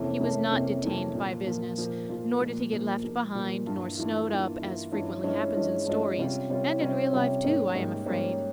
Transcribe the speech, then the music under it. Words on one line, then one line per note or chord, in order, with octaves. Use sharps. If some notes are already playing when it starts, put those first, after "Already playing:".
He was not detained by business, nor did he get left behind nor snowed up, as frequently happens in stories, and in real life too, I am afraid.
Already playing: F2 C3 E3 A#3 C#4
F2 C3 E3 A#3 C#4
F2 C3 E3 A#3 C#4
F2 C3 E3 A#3 C#4
A#2 F3 A#3 F4
A#2 F3 A#3 F4
A#2 F3 A#3 F4
A#2 F3 A#3 F4
A#2 F3 A#3
A#2 F3 A#3
A#2 F3 A#3
A#2 F3 A#3
G2 E3 A#3 F4
G2 E3 A#3 F4
G2 E3 A#3 F4
G2 E3 A#3 F4
G2 E3 G#3 C#4 F4
G2 E3 G#3 C#4 F4
G2 E3 G#3 C#4 F4
G2 E3 G#3 C#4 F4
C3 G3 C#4 F4
C3 G3 C#4 F4
C3 G3 C#4 F4
C3 G3 C#4 F4
G#2 G3 A#3 C#4
G#2 G3 A#3 C#4
G#2 G3 A#3 C#4